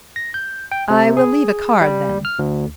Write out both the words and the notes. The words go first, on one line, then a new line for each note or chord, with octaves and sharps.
"I will leave a card then."
A#6
G6
G5
C3
G#4
G3
F6
D2